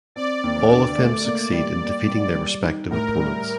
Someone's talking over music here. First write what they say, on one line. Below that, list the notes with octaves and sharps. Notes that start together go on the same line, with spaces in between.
All of them succeed in defeating their respective opponents.
C4 D5
D#2
D3 D5
A3
A#3
G3
A#3
G3
G3
D#4
A2 A#4
G3